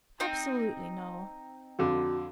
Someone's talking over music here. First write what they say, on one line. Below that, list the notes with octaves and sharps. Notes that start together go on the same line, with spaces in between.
"Absolutely no."
C4 D#4
F2 D3 F#4